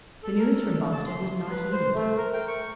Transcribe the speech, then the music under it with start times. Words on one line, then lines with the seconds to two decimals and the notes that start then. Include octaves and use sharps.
The news from Boston was not heeded.
0.23 A4
0.38 A#4
0.53 A4
0.79 A3
0.92 A5
1.06 C6
1.50 B4
1.72 C5
1.95 A3
2.17 A#4
2.34 G5
2.48 C#6